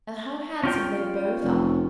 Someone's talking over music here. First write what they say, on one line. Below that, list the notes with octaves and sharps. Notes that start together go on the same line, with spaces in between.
"And how handsome they both are!"
C#4 F4 G5
F1